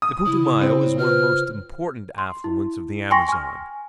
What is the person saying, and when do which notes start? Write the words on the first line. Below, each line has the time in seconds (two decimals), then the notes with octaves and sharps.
The Putumayo is one of the most important affluents of the Amazon.
0.02 D#6
0.26 C#3 E4
0.61 C4
0.81 C#5
0.98 F4 B4 C5 F6
2.18 C6
2.44 E4
3.11 G5 G#5 C6 C#6 A#6
3.28 G#5 F6